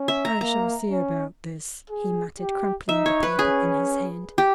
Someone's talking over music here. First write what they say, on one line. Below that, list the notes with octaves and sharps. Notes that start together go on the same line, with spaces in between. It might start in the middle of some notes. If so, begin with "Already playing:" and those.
"I shall see about this," he muttered, crumpling the paper in his hand.
Already playing: C#4
E5
A#5
A#3 A#5
C#4
G#4
G4
D#4 E5
C#5
B4
C#4 G#4
G4